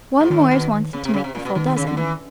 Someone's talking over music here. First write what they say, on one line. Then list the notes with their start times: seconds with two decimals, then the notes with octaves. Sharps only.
One more is wanted to make the full dozen.
0.20 G#2
0.30 A2 D#3
0.51 B2
0.93 C#3
1.05 C3
1.14 C#3
1.24 C3
1.35 A#2
1.45 B2
1.55 B2 D#3
1.66 C3
1.76 C#3
1.87 D3
1.97 E3